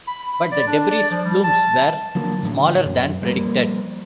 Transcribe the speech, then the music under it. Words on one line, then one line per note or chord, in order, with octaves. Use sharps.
But the debris plumes were smaller than predicted.
B5
B5
D5
D4
D5
F3
G3
A5
D3 F3 F#3 A#3
A2 D3
F#2
F3 G3 A#3